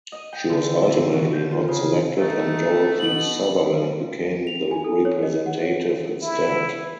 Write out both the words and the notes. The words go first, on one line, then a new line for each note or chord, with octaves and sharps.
She was ultimately not selected and Dorothy Sutherland became the representative instead.
D#5
G5
D3
E5
B2
G6
F4
C#3
A3 D#4
B2 F#7
F7
G#5
A4
C#5
D#5
F#5
C#5
E4